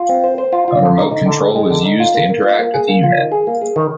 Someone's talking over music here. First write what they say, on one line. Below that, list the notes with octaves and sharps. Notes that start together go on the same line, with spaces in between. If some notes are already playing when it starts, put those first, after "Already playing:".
A remote control was used to interact with the unit.
Already playing: F4
C4
C5
C5
F4
F4
D3
D#4
D#4
D3
G#3
G#3
D3
D#4
F4
A#3
A#3
F4
A#3
G#4
A#3
F4
D#3
G#4
A#3
G#4
D#3